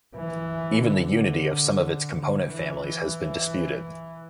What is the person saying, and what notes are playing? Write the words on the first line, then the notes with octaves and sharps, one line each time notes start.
Even the unity of some of its component families has been disputed.
E3
D3
D3
E3
E3